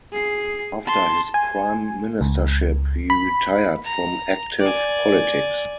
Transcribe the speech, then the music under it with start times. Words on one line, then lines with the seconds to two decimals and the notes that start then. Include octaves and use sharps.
After his prime ministership, he retired from active politics.
0.12 G#4 C7
0.86 A5 C6
1.34 G#5
2.21 C#2
3.10 B5
3.84 A#5
4.60 D5 G#5